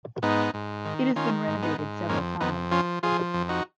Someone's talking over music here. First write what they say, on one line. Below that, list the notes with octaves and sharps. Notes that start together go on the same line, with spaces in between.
It has been renovated several times.
G#2 B3 D#4
G#2
D#3
D#3 C#4 F4
G#2
B3 D#4
G#2
F2 A#3 C#4
F2 B3 D#4
F3 C#4 F4
F3 F4 G#4
F2
D#4 F#4